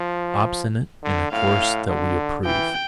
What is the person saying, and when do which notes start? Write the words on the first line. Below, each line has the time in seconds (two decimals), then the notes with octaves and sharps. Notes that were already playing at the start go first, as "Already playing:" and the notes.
Obstinate in a course that we approve.
Already playing: F3
1.03 D3
1.32 A2 F5
1.88 D3
2.45 E3 G5